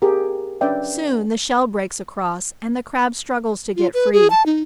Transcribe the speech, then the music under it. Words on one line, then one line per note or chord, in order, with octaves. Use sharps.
Soon the shell breaks across, and the Crab struggles to get free.
G4 G#4 A#4
C#4 D4 B4 D5 E5 G5
F4
B4
G#4
A5
D#4